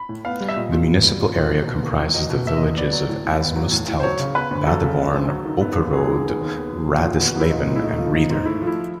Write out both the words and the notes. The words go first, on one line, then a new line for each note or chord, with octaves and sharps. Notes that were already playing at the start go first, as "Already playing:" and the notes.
The municipal area comprises the villages of Asmusstedt, Badeborn, Opperode, Radisleben, and Rieder.
Already playing: B5
A2
B3 F5
G3
E5
A#2 D#5
A#2
B3
G3
A#2
A#2
F#3
B2
A#3
E2
F#3 D#5
B2
A#3 E5
D#5
E2
B3 D5
F#3
A2
A2
B3
F#3
A2
A2
C5
F#3 C#5
C#3
B3 B4
D2
F#3 A4
C#3
B3
D2
F#3
D#3
B3
D#2
F#3 G#4
D#3
B3
D#2
B3
F#3
A#2
A#2
B3 F#4
F#3 E4
A#2 D#4
A#2
E4
A3 D#4
F3
G#2 D#4
G#2 D#4
A3 E4
F3
E4